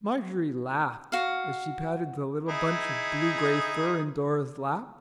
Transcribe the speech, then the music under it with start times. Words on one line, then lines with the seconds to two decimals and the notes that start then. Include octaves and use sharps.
Marjorie laughed, as she patted the little bunch of blue-gray fur in Dora's lap.
1.12 F#4 F5
2.49 D#4 E4 G#4